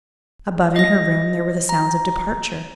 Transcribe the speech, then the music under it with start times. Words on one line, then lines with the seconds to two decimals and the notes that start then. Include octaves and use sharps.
Above in her room there were the sounds of departure.
0.76 D#5 A#6
1.69 A#5